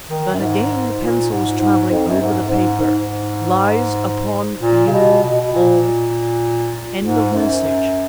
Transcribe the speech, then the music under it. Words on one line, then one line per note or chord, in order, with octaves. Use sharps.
But again the pencil was traveling over the paper:--lies upon you all... end of message.
D#3
F#2
G#2
A#2
G#2
G#2
F2
F#2
G#2
G#2
G#2
A#2
C#3
B2
B2
B2
A#2
G#2
F#2